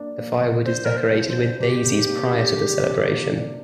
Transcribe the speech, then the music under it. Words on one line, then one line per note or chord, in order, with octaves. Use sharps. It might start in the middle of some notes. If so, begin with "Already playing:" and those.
The firewood is decorated with daisies prior to the celebration.
Already playing: A#3 D4
A#3
C3
D4 C5
A#3 A#4
C5
C2
C5
D4
C3 G4
C3
A#3
D4
D4
C3
A#3
D4